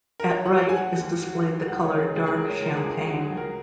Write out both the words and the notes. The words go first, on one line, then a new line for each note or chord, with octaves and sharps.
At right is displayed the color dark champagne.
A#4
F#3 C#5
F#5
F#3
F#5
G#5
F#3 F#5
D#2
F#3
F#3
C#2 F#5
C#5
C#3
G#4
C#2 G#4
G#4
C#2 A#4
C#5
C#2 A#4
G#4
C#2
G#4
F#3 F#4
G#4
C#2
A#4